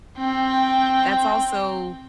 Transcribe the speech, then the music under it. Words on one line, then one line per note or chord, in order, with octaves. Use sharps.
that's also,
C4 G5